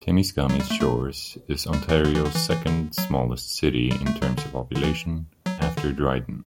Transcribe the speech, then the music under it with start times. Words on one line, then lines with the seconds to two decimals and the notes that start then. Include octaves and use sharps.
Temiskaming Shores is Ontario's second-smallest city, in terms of population, after Dryden.
0.49 F#3
0.60 G3
0.70 A3
0.80 A3
1.73 G3
1.89 E3
2.05 D3
2.15 E3
2.25 D3
2.35 E3
2.51 E3
2.67 D3
2.98 F#3
3.91 G3
4.06 A3
4.22 F#3
4.38 D3
4.75 D3
4.84 E3
5.46 F#3
5.62 E3
5.77 D3